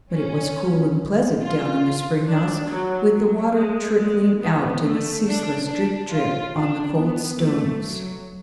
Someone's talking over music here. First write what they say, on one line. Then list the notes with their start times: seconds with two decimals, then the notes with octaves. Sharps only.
But it was cool and pleasant down in the spring-house with the water trickling out in a ceaseless drip-drip on the cold stones.
0.12 C#4
1.40 F4
2.27 D4
2.69 F#3
3.12 F#3
3.54 G#3
3.98 G#3
4.40 B3
4.83 A3
5.26 D4
5.68 D4
6.11 F4
6.55 D4
6.98 B3
7.39 A3
7.82 F#3